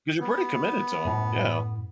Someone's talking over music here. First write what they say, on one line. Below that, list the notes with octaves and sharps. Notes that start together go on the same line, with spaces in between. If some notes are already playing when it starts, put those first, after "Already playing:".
'Cause you're pretty committed to 'em, yeah.
B3
F#2 A2